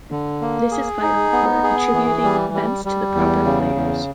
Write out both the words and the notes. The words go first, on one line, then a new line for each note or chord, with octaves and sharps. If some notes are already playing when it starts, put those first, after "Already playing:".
This is vital for attributing events to the proper players.
D3
A#3
G#4
D#4
B3
G#4
E3
G3
G3
G3
E2
C#3
E2